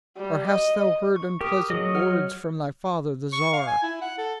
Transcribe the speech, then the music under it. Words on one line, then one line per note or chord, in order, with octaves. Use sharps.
"Or hast thou heard unpleasant words from thy father the Tsar?"
G3
D#5
C#6
G4 A#4 D#6
F#3 G#4 D#5
C#5 F#5 F6
C#6
F5
G#5
E4
F#5
A4